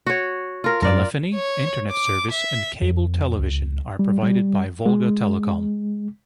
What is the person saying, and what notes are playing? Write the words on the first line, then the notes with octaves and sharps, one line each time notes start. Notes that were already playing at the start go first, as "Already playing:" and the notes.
Telephony, Internet service, and cable television are provided by VolgaTelecom.
F#4 C#5
F4 A#4
F#2 A#4 D5
C#5
D6
E5
F2
C#2
G3
G3
G#3